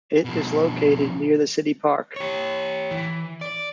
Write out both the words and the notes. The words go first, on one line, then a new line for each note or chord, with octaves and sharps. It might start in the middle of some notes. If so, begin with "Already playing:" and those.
It is located near the City Park.
B2 F3
G4 C#5
E3
D5